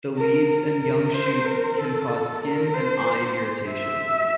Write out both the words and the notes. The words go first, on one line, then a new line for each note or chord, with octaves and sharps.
The leaves and young shoots can cause skin and eye irritation.
A#4
A#4
C5
A#4
A4
A#4
C5
E5